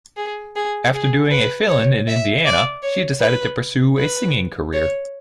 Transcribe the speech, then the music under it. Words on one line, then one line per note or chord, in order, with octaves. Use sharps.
After doing a fill-in in Indiana, she decided to pursue a singing career.
G#4
G#4
G#4
B4
C#5
E5
D5
C#5
B4
B4
C#5